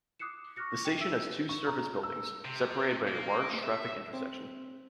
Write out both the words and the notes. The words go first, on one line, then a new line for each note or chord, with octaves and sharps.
The station has two surface buildings, separated by a large traffic intersection.
D6 D#6 F#6 C7 C#7 E7
C#6 D6 F6 F#6 A#6 C#7
G5 C#7 D#7 E7
E5 E6
C#6
A#5
E6
C3
A#3
E5
C4